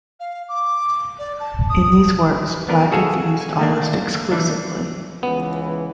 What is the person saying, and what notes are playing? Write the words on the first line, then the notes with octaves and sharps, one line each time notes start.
In these works, black is used almost exclusively.
F5
D6
D5
A5
D#6
B3 D4 A#4 B4
F#4 G#4 A4 F5 G#5
G#5
A3 A#3 D4
E3 D4
C#2 E3 B3